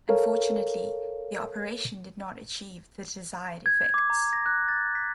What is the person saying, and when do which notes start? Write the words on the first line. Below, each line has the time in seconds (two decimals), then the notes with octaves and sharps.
Unfortunately, the operation did not achieve the desired effects.
0.09 A4 A#4 C#5 F5
3.66 G#6
3.94 D6
4.10 A#5
4.33 A#6
4.46 F#6
4.68 A6
4.95 B6